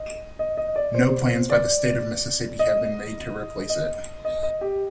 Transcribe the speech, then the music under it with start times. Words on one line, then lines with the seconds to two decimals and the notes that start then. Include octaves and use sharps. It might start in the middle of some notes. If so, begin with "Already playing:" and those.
No plans by the State of Mississippi have been made to replace it.
Already playing: D#5
0.39 D#5
0.57 D#5
0.76 D5
0.95 C5
1.50 D5
2.59 D#5
3.69 D#5
4.25 D#5
4.43 D#5
4.61 G4